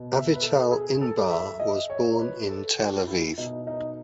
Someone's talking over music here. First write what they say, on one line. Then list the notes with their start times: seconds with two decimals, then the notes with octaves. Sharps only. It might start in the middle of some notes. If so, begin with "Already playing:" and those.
Avital Inbar was born in Tel Aviv.
Already playing: B2
0.12 E5
0.34 B4
0.42 A4
0.71 G#4
1.01 A4
1.30 E5
1.60 D#5
1.90 C#5
2.19 B4
2.49 A4
2.78 F#4
3.07 E4
3.38 B2 D#4
3.67 D#4